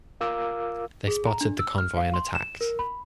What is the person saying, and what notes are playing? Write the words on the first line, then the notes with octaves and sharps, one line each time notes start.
They spotted the convoy and attacked.
F4 A#4 F5 D6 E6
G#4
A#5
D4
E6
F6
F5
C6
E7
A#4
B5